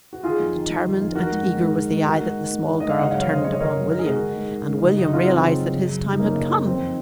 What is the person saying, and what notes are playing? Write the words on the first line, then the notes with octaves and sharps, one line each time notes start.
Determined and eager was the eye that the small girl turned upon William, and William realised that his time had come.
F#4
D#3 F4 G#4
F2
D#3
F2
D#3
F2
D#3 F#4 A#4
G#2
D#3
G#2
D#3
G#2
D#3 F#4 A#4
G#2
D#3
G#2
D#3
G#2 D#5
F5
C#3 D#5 F#5
C#5 F5
F#2
C#5 F5
C#3 C5 D#5
F#2 C#5
D#5
C#3 A#4 C#5
F#2
D#3 A#4
G#4
G#2 F#4 A#4
D#3
G#2
D#3
G#2
C#3 D#4 F#4
F#2 D#4 F#4
C#3 C#4 F4
F#2 C4 D#4
C#3
F#2
C#3
F#2
C#3
D#4
F#2 A#3 C#4
C#3
F#2
F2 C4
D#3